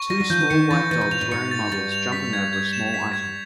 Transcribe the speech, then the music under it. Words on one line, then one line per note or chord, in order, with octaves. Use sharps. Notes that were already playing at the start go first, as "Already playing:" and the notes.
Two small white dogs wearing muzzles jumping over a small item.
Already playing: C#6
G3 A#6
F#3
F3 G6
E3
D#3 C#7
E3 A6
E3 A6
B2
A#2 F7
A2
G#2 C#7
A6
G2 A6
F7
B6
G#6
G#6
E7
B6
G#6